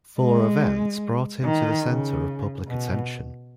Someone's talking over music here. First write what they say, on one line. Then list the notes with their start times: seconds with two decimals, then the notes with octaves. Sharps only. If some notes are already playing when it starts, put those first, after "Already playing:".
Four events brought him to the centre of public attention.
0.20 G#3
1.45 D#3
1.85 C#3
2.68 B2